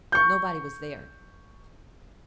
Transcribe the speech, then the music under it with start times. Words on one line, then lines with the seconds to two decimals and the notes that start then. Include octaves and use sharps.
Nobody was there.
0.12 C#6 G6